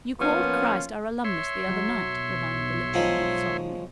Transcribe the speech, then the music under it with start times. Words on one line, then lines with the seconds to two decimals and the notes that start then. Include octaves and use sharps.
"You called Christ our alumnus the other night," reminded the literal youth solemnly.
0.19 F3 A#3 B3 C#4 F4
1.24 C#5 E5 C6
1.66 F#3
2.03 B1
2.94 F3 F#3 G#3